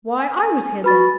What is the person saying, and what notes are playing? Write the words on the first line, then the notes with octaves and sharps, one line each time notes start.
Why, I was here then.
G#5
G#5
F#4 B4 B5 A6